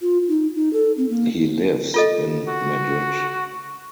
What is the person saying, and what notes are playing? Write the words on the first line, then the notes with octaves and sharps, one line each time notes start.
He lives in Madrid.
F4
D#4
D#4
A4
C4
A#3
F4 A4 D#5
F#4